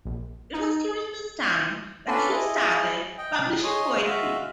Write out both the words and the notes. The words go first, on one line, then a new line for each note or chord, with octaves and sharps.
It was during this time that she first started publishing poetry.
A#1
D#4
C#4 D4 F4 A4 B4 D5
E4 G#4 D#5
D#5 G5
C#5 D#5 G#5 C6
G#3 F#4 E5 F5